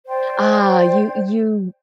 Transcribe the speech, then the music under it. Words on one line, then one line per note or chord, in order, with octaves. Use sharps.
Ah, you you
C5 D5 G5